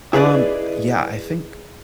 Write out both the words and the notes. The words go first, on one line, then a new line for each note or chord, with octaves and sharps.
Um, yeah, I think
E4 G#4 B4 D5 D#5